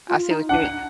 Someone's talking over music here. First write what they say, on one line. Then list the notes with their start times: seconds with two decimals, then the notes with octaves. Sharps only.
I see what you mean
0.09 F4
0.30 D#4
0.49 D4 F#5